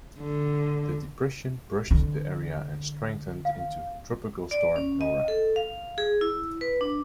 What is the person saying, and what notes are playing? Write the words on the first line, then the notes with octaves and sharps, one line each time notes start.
The depression brushed the area and strengthened into Tropical Storm Nora.
D3
D3
F5
D5
C#4
D#5
A4
F5
G#4
E4
B4
D4